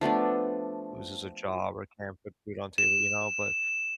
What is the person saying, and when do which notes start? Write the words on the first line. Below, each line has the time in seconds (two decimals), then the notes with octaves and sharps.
loses a job or can't put food on table, you know, but
0.01 F3 A3 B3 D4
2.78 E7